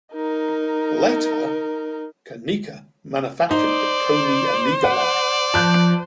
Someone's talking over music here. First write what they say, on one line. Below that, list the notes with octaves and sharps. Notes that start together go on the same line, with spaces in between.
Later, Konica manufactured the Koni Omega line.
D#4 A#4
D#4 C5 D5
D5 F#5
F3 A5 F#6 G6